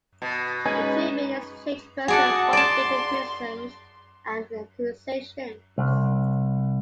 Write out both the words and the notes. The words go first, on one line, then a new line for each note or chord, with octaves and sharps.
The two men exchanged verses full of bitter criticisms and accusations.
B2
G#3 C#4 D#4 B4 G#5
F#4 G#4 D5 F#5 A5
D5 A5 C6
C2